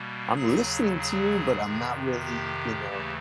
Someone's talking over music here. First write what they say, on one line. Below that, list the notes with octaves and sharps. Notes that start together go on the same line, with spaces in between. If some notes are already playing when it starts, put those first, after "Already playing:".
"I'm listening to you, but I'm not really, you know,
Already playing: B2 G3 A#3
D#2 C#3 F#3 G#4
G#4
F2 C3 D#3
G4
D#2 C#3 E3 A3